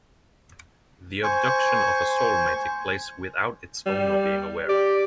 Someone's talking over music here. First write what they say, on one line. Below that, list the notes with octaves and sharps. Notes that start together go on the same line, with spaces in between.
The abduction of a soul may take place without its owner being aware.
C5 G#5 C#6
G3
G4 D5